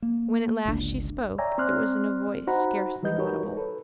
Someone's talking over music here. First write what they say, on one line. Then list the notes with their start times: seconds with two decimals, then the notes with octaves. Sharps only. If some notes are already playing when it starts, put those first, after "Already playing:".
When at last she spoke it was in a voice scarcely audible.
0.02 A#3
0.65 G1 C#2 D4
1.38 C#5 D5 E5 G5 G#5 A#5
1.58 C4 D5 C6 F6 F#6
2.47 D#4 F#4 C5 F#5 A#5 B5
3.03 E3 G3 B4 D#5 G6
3.18 D#4 F#4 G4 A#4 B4 C#5
3.57 A4 B4